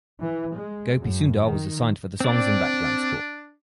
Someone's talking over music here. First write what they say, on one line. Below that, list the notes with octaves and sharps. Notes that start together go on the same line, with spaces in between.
Gopi Sundar was assigned for the songs and background score.
E3
G#3
F#2
D#3
C4 D4 D5